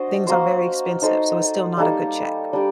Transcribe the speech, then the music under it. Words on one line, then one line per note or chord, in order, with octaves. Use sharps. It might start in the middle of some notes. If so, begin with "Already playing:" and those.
things are very expensive. So, it's still not a good check.
Already playing: D4 F#4 C5 D#5
A#3 F#4 C5
D#4 A4 C5 D#5
G3 A#3 D#4 A4
G3 D4 G4 D5